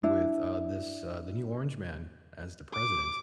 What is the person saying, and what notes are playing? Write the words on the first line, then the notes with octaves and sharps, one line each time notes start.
with, uh, this uh, the new orange man as the president,
D4 E4
D6